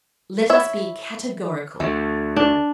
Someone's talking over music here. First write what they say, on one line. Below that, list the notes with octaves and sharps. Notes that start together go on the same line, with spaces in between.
Let us be categorical.
E4 C#5 E5
D2 A3
D4